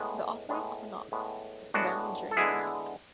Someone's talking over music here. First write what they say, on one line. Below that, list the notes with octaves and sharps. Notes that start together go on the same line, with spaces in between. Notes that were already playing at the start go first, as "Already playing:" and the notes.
The offering of an ox is done during the night.
Already playing: A2 G#3 B3
A2 G#3 B3
A2 G#3 B3
A2 G#3 B3 D4 F#4
A4
D3 G#3 B3 E4 G#4